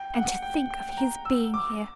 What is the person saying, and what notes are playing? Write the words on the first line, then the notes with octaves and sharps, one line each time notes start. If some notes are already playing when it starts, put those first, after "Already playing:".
And to think of his being here!
Already playing: G5
F#5
G5
G5
G5
A#5
E6
D6